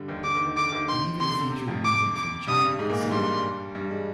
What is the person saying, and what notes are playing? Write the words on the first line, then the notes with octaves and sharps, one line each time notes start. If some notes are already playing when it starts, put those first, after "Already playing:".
It even featured music from China and Singapore.
Already playing: G2 D3 G3
D#2 D#3
D3 D6
D#2 D#3
D#2 D#3
D3 D6
D#2 D#3
D#2 D#3 C6
C3 C6
D3
C3
C3
F2 F3
D6
D6
G2 G3 D#6
G#2 G#3
A#2 A#3
G#2 G#3
G2 G3 C6
G2 G3
G#3